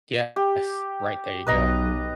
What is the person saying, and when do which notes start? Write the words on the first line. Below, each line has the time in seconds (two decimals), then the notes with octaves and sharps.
Yes. Right, there you go.
0.36 G4
1.47 B1 B4 D#5 A#5